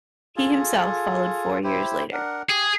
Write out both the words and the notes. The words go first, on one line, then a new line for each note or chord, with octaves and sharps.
He himself followed four years later.
F4 G#4 A4
E4 G4 C5
D4 A#4 F#5
G4 G#4